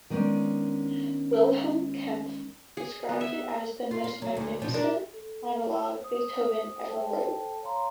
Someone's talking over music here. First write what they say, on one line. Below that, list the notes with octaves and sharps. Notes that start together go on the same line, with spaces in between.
Wilhelm Kempff described it as "the most magnificent monologue Beethoven ever wrote".
D#3 G#3 A#3 B3 C#4 D4
G#4
B3
E5
F4
F5
F#3
D2
B2 F3
D4 A#4
A4
C5 D#6
A4 C5 G5 A5
C#5 F5 A#5 C6